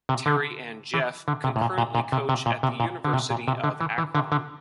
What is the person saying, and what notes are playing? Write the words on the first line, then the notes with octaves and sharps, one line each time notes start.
Terry and Jeff currently coach at the University of Akron.
C3
D3
E3
D3
C3
A2
A#2
A#2
A#2
C3
C3
A#2
C3
A#2
D3
C3
A#2
C3
D3
E3
E3
D3
D3